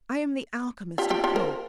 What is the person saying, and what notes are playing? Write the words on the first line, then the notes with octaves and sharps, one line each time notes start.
I am the alchemist of hope.
F4 G4
F4 G4
F4 G4
A#4 C5